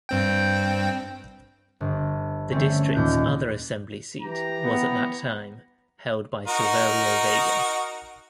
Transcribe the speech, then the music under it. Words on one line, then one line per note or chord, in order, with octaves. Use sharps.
The district's other Assembly seat was at that time held by Silverio Vega.
G2 C4 G5
G1
D3 A3 C4 C#4
D#2 A#2 F#6 G6
E3 G4 A#5
B3
D#4 F#4 A#4